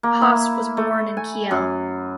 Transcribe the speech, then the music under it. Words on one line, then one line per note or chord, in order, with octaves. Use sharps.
Hass was born in Kiel.
A#3
E4
A3
G#5
F#2